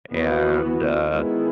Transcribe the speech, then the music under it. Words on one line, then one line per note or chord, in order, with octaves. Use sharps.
and, uh,
E3 B3 F#4
D#3 G#3 B3 E4